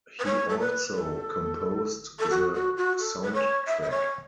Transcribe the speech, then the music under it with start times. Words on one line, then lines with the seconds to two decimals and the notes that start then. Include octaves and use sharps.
He also composed the soundtrack.
0.19 B4
0.25 C#5
0.49 A4
0.59 B4
0.94 A4
2.19 A4
2.30 F#4
2.54 F#4
2.77 F#4
2.99 A4
3.22 B4
3.33 C#5
3.67 E5
3.82 E5
3.90 C#5